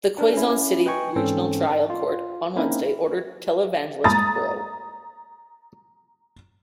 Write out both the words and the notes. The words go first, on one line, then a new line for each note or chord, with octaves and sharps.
The Quezon City Regional Trial Court on Wednesday ordered televangelist Bro.
D4 A#4
C#4 E4
B4 D#5 G5 G#5 C#6
G#2 E3 C4 C#4 A4 C5
F4
A#3 C4 C#4 D#4 E4 A#4
A#5 D#6 A6